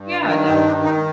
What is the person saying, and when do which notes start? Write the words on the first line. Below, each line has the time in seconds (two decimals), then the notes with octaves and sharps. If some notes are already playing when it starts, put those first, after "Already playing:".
Yeah, definitely.
Already playing: G2
0.11 D5
0.20 D#3
0.29 A#4
0.48 G2 C4
0.67 D4
0.75 D#3
0.84 D#4